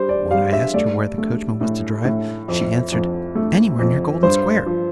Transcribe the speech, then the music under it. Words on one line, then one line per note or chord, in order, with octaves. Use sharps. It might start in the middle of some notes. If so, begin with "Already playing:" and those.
When I asked her where the coachman was to drive, she answered, 'Anywhere near Golden Square!
Already playing: G3 C5
D5
G3 F5
E5
A3 D5
A3
A2
A2
F2
F2
A3
F2
G2 C5
F3